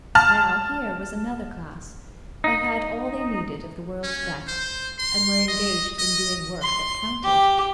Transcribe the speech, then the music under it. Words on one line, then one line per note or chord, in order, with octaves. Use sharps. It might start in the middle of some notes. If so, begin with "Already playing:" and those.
Now here was another class, that had all they needed of the world's best and were engaged in doing work that counted.
A5 F6
D#4
C#4
C5
C6
D#5
D#5
C6
G4